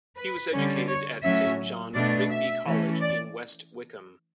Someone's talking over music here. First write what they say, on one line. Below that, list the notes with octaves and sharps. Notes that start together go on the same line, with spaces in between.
He was educated at Saint John Rigby College in West Wickham.
B4
D3 G3 C#4
C#5
A2 F#3 C#4 E5
B2 A3 D4 D5
E5
E3 A3 C#4
D5